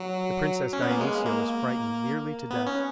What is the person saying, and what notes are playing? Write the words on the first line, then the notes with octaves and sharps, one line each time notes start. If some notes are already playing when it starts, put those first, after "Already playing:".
The princess Dionysia was frightened nearly to death.
Already playing: F#3
C#4
B3
A#3
G#3
A#3
B3
C#4